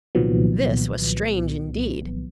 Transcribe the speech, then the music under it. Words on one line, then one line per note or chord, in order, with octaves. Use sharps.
This was strange indeed!
C2 A#2 D#3 F3 F#3 B3